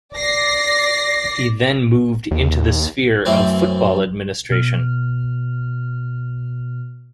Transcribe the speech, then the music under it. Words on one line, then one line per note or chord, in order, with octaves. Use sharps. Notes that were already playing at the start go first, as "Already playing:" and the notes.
He then moved into the sphere of football administration.
D5 A#6 C7
D#2
F#2 A2 E3 C4
B2 F6